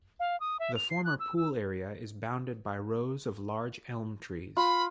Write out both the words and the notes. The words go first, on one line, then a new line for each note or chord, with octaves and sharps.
The former pool area is bounded by rows of large elm trees.
F5
D#6
E5
F7
C7
F#6
E6
E6
F4 B5